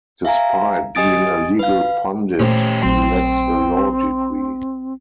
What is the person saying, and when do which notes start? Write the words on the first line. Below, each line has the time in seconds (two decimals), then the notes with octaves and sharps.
Despite being a legal pundit, he lacks a law degree.
0.25 E5 F5 G#5 A#5
0.95 G4 D#5 G#5 D#6 A6 D7
1.59 B4 F5
2.39 A#2 A3 C#4 G4 C5
2.83 A#1 F#3 C4 G5 C6